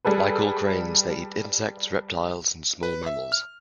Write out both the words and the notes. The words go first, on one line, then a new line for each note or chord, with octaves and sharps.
Like all cranes, they eat insects, reptiles, and small mammals.
G3 G#4 A4 B4
B4
E5
F6